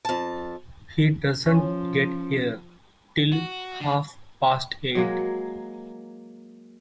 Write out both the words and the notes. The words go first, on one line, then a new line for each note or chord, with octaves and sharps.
He doesn’t get here till half-past eight.
F2 A5
F3 C#4
F#4
D3
F#3 G#3 A#3